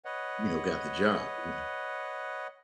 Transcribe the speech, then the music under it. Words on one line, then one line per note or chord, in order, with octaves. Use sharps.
you know, got the job, you know
B4 C#5 D#5 F#5